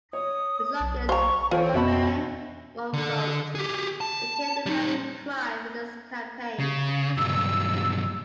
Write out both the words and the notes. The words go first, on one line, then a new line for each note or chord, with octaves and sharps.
The slogan "one man, one vote" became a rallying cry for this campaign.
C#5 D#6
B1
C5 F5 A#5 C#6
E3 F4 A4 C5 C#5 G5
F2 B2 E5 A5 B5
D3 A4
G4 G#4
A5
G3 D#4
C#3
B1 G2 E6